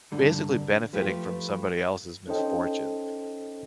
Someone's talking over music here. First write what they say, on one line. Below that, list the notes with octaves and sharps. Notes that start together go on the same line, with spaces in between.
basically benefiting from somebody else's misfortune."
C2 G2 D3 G3
F3 A3 F4 G4 B4
C#4 D#4 A4 C5 D#5 G5